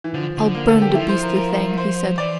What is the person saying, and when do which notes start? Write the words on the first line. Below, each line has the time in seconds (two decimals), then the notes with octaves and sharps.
"I'll burn the beastly thing," he said.
0.04 E3
0.14 D3 F3
0.37 D3
0.55 A#3
0.68 A4
0.82 G4
0.91 G3
0.95 F3 E4
1.09 C5
1.23 A#4
1.36 A#4
1.78 C5
2.18 E3 D5